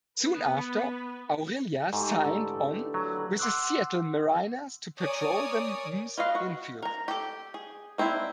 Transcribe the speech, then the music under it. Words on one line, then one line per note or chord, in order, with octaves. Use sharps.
Soon after, Aurilia signed on with the Seattle Mariners to patrol the M's infield.
B3 B4
G#2 A3 D#4 G4
D3 E3 A4
F#3
A#3 B4
F#5 C6 D6 E6 F#6
A#4 C#5 D5 G#5 D#6
F4 B4 D#5 F5
F#4
A#4 A#5
G4 A4
G#4
A#3 C4 D4 E4